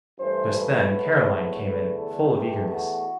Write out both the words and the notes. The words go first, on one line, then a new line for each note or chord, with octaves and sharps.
And, just then, Caroline came in, full of eagerness.
G2 E3 A3 C5
B4
E2 C3 F#3 A3
E2 D3 A3 B4
A4
E2 B2 A3 G4
F#4